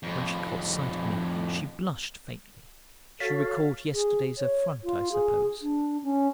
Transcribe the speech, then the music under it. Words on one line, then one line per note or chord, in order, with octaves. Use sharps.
When she caught sight of me she blushed faintly; she recalled yesterday's affront, I suppose.
F2 A2
F#4 A4 C#5 F5 A6 B6
G#4
C#5
F4
G#4
D4
C#4